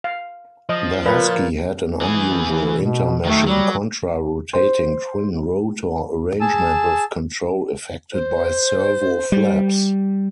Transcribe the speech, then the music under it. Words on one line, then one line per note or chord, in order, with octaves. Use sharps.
The Huskie had an unusual intermeshing contra-rotating twin-rotor arrangement with control effected by servo-flaps.
F5
F3 D#5
A#2 B4
E3 G#4
B2
D#3 F#3 A3
F#3 G3
C5
G#4 A5 E6
C5
G3